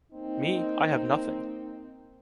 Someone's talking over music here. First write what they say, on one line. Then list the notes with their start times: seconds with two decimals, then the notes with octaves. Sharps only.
Me, I have nothing!
0.13 A#3 C4 D#4